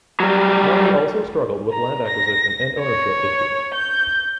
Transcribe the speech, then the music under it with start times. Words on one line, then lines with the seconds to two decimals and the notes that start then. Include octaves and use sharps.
The county also struggled with land acquisition and ownership issues.
0.20 F#3 G3
1.72 A#5
2.08 A#6
2.80 C#5
3.75 G6